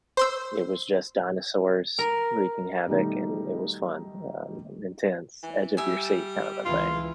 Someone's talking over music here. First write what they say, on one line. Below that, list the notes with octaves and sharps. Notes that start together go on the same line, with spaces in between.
it was just dinosaurs wreaking havoc, and it was fun, um, and intense, edge of your seat kinda thing.
C5 C6 E6
A#4
B2 D#3 G3 A3 D#4
E3
G3 E5 G#5
C#2 E3 F4